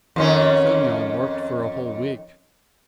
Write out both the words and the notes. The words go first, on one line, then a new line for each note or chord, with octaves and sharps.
Semyon worked for a whole week.
F2 D#3 C#4